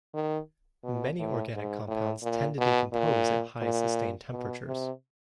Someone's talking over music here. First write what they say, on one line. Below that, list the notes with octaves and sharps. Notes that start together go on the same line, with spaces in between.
Many organic compounds tend to decompose at high sustained temperatures.
D#3
B2
A2
G#2
A2
A#2
B2
A#2
A#2
B2
C3